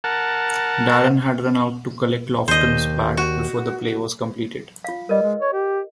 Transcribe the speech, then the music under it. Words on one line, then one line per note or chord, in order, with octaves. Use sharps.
Darren had run out to collect Lofton's bat before the play was completed.
A#4 F#5 A5
D#2 C5 D#5
F#4
F4 F5
G3 A#4 B4 D#5
G#3
C#5
G4